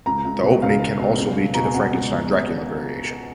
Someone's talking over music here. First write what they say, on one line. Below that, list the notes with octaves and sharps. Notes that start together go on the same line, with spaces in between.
The opening can also lead to the Frankenstein-Dracula Variation.
C#2 A#5
C#2
B2
C#2 F5
B2
B2
C#2
B2
B2 A#5
G#5
C#2 F#5
C#2
B2